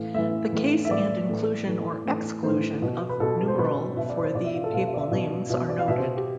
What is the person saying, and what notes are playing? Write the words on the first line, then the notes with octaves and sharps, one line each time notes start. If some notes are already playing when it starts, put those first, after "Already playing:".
The case and inclusion or exclusion of numeral for the papal names are noted.
Already playing: A2 E3 F5
A2 E3 E5
A2 E3
E5
A2 E3 D5
A2 E3
A2 E3
A2 E3
A2 E3 C5
B2
B4
B2 A4
C5
B2 B4
B2 E5
D5
B4
C5
B2 D5
E5
F4
A4
B2 F5
E5
D5
E5
B2
B2 E5
D5
F5
B2 E5
C5
G4